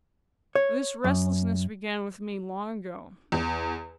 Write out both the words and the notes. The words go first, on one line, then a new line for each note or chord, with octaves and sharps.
'This restlessness began with me, long ago.
C#5
F#2
E2